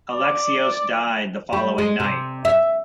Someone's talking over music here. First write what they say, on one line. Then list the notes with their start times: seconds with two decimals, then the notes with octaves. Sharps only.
Alexios died the following night.
0.12 D5
1.53 G3
1.78 G#3
2.00 C3
2.45 E5